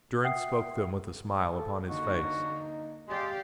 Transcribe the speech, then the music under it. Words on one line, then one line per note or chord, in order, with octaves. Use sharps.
Durrance spoke them with a smile upon his face.
E5 F#5 G5 D#6 C7
A4
D3 A#3 D#4 F#4
D#4
G#3 G4 D5 F5